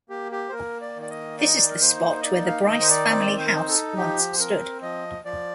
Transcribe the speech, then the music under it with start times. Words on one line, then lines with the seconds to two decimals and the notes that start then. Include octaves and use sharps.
This is the spot where the Brice family house once stood.
0.09 A#3 G4
0.32 G4
0.49 C5
0.52 A#3 A#4
0.82 D5
0.96 D#3
1.02 D5
1.10 D#5
1.38 D#4 D5
1.47 D#5
1.55 D5
1.69 A#4
1.81 A#3 C5
2.21 D#5
2.24 D#4 D5
2.46 F5
2.67 D#3 D#5
2.80 C5
2.90 D5
3.10 C4 D5
3.39 C5
3.46 A#4
3.54 D#4 C5
3.68 A4
3.97 F3 G4
4.33 C5
4.39 C4 A#4
4.82 F3 D#5
5.25 F3 D5